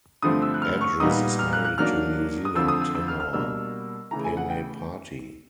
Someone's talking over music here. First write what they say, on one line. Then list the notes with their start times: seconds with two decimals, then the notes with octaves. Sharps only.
Edris is married to New Zealand tenor Pene Pati.
0.22 G2 D3 F3 A3 C4 D#6
0.42 E6
0.54 F#6
0.62 F6
0.81 C#6
1.00 A#2 G3 B3 D#4 D#6
1.39 F6
1.53 F#6
1.65 F#6
1.78 D#3 F#3 A#3 D4 F6
2.45 D#6
2.55 F2 D3 F3 E6
2.68 D#6
2.82 E6
2.95 E6
3.08 F6
3.20 F6
3.33 B2 G3 A#3 D4 E6
4.11 C#3 E3 A3 A#5
4.24 G#5
4.37 F#5
4.50 G5